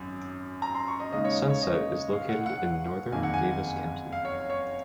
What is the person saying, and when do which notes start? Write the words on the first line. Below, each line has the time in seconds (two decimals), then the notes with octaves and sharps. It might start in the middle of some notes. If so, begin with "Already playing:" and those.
Sunset is located in northern Davis County.
Already playing: G#1 F#2
0.62 A#5
0.75 C6
0.88 C#6
1.00 D#5
1.12 D#2 C#3 G#3 D#4 D#5
1.25 C#5
1.50 C#5
1.62 D#5
2.13 F5
2.29 F#5
2.46 F#5
3.12 F#1 F2 D#3 A#3 G#5
3.23 F#5
3.34 G#5
4.12 F5
4.25 C#5
4.50 C#5